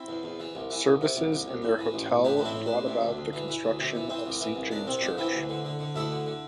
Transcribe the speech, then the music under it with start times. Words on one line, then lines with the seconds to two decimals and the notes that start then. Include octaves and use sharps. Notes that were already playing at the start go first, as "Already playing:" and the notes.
Services in their hotel brought about the construction of St James Church.
Already playing: C4 E4
0.08 E2
0.23 E2
0.40 E3
0.55 C2
0.70 E3
0.85 C2
1.01 C3
1.16 C2
1.32 C2
1.48 C2
1.62 A2
1.79 E3
1.94 A1
2.10 A1
2.24 A1 D4 G4
2.37 A2 D4
2.45 C4 E4
2.56 A2
2.66 A1 D4
2.87 C3
3.02 D2
3.17 D2
3.33 E3
3.48 E3
3.64 D2
3.79 C3
3.95 E3
4.09 E3 C4
4.26 C2
4.41 E3
4.56 C2
4.71 C2 D4
4.87 C3 C4
5.02 C2 D4
5.18 E3 C4 E4
5.33 D2
5.49 D3
5.65 D3
5.79 D3
5.95 D2 E4 A4
6.11 D3
6.26 D3